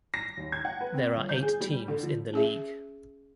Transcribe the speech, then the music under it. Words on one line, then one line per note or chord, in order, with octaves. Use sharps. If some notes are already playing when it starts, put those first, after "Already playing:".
There are eight teams in the league.
A#6
D#2
G#6
F#5
B4
C4
G1
G6
G#4
G3
D3
F3
C#4 G#4 E5